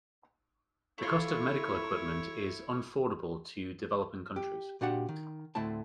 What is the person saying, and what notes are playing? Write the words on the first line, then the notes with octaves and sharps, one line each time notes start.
The cost of Medical equipment is unfordable to developing countries.
A3 E4 F4 C#5
G4
A#2 D4 F#4 G4 F#5
D#3
D2 A2 A3 C4 E4 A5